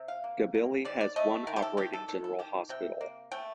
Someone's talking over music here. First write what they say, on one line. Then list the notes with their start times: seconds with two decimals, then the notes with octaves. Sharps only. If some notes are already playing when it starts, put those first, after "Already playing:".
Gabiley has one operating general hospital.
Already playing: C3
0.08 F5
0.24 A#3
0.54 A#3
0.85 D#3 D5
1.01 D5
1.16 A3 D#5
1.47 D#3 A#4
1.56 G4
1.62 A4
1.77 D#3 G4
1.93 A4
2.08 D#3 A4
2.24 A4
2.39 D#3 G4
2.69 C3 G5
3.01 A#3
3.32 A3 G5